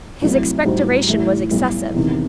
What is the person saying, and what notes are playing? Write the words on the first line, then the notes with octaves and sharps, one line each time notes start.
His expectoration was excessive.
C2 C3 F#3 A3 E4
A2 G3 D#4 F#4 C5
A2 E3 A3
B1 A2 G3
E2 C3 D#3